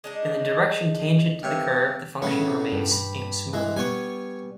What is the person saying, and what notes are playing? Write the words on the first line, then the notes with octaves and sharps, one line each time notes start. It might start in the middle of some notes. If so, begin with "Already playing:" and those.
In the direction tangent to the curve, the function remains smooth.
G#3 D4 D#4
G2 C3 C#5
A2 C#3 B3 C#5
G2
B5
E3 G#3
G3 B3 C#5 G#5